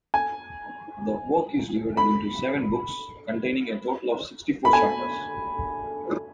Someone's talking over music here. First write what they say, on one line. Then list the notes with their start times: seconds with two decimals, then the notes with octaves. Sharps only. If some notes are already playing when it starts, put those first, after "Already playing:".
The work is divided into seven "books" containing a total of sixty-four chapters.
0.14 G#5
1.97 B5
4.65 B5
4.73 G#5